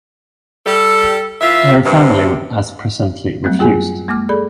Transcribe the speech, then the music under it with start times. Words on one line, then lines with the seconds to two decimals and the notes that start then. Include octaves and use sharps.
Her family has presently refused.
0.66 G3 A4
1.41 E3 F4 E5
1.85 G2 C3
3.44 F#3 G3 A3 C4
3.59 F#2 F4 G#4 G#5
4.08 G#3 A#3 D6 F6
4.29 G#4 A4 D5 B5